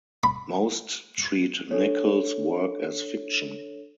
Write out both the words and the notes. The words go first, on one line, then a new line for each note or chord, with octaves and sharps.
Most treat Nichols' work as fiction.
B5
D4 A4 C#5